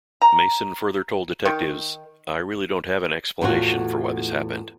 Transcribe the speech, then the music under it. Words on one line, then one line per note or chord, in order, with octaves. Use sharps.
Mason further told detectives, I really don't have an explanation for why this happened.
A#5
D#3
E2 A2 F4 F#4